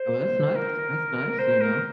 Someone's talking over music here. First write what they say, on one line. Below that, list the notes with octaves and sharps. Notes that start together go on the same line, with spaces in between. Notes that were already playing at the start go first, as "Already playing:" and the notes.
Well, that's nice that's nice, you know,
Already playing: C5
A#4
C5
A#4